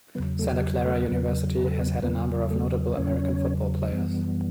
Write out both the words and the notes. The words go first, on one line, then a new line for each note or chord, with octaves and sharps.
Santa Clara University has had a number of notable American football players.
E2 C#3 F#3 B3 B4
A3 A4
G4
A3 A4
E2 C#3 F#3 B3 B4
B4
A4
B3 B4
E2 C#3 F#3 B3 B4
A3 A4
E2 C#3 F#3 C#4 C#5
F#2 E3 G3 B3